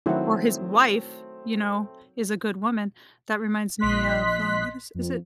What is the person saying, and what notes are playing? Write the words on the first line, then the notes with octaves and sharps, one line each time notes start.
Or his wife, you know, is a good woman. That reminds me of, uh, what is is it?
D#3 F#3 A3 C4 E4 F#5
A#1 D#5 C6 F#6 B6
F2